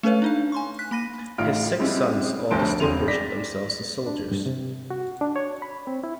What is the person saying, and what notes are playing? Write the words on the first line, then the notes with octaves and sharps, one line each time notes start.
His six sons all distinguished themselves as soldiers.
A3 C#4 A4 B4 C#5 F5
D4 D#4 F5
G#5 C6 C#6
F#6 B6
A#3 B5 A#6 D#7
A1 A2 D#4 F4 F6 D7
G3 G#3 C4 C#4 E4
G1 D2 F3 C5 A5 D7
E1 C#3 C4 C6 D#7 F7
D5 A#6 B6
D4
G2
C3
F#4
D4
C#5
B5
C4
E4